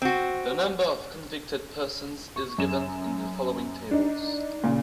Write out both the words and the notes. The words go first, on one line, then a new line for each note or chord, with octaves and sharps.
The number of convicted persons is given in the following tables.
C4 F#4
C#6
F#2 E7
D4 D#4
A#2 C#3